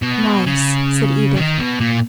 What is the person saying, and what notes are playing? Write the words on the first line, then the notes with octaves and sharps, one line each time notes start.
"Nice!" said Edith.
B2
C#3
D#3
B2
A#2